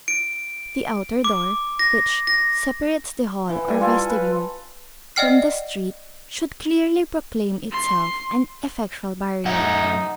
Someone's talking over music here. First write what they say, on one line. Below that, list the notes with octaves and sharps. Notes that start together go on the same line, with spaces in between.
The outer door, which separates the hall or vestibule from the street, should clearly proclaim itself an effectual barrier.
D7
D6
A#6
A#6
E3
G3 A4 G#5
F4 A4 G#5
B4
D5 D#5 F#5 G5 F6 C7
C6
F#2 A3 D#4 F#5